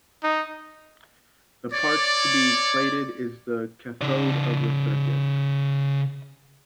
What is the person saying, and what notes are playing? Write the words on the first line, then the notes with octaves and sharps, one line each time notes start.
The part to be plated is the cathode of the circuit.
D#4
C#5 D5
C#3 D5